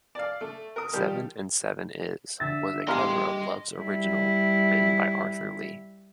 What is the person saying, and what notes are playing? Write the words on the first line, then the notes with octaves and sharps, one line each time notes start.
"Seven and Seven Is" was a cover of Love's original, written by Arthur Lee.
D5 F5
A3
A#4 D#6
D#3 F3 G3 G4
D3 E5 A6
E2 G4 A#4 D#5 F5 C6
G3 E4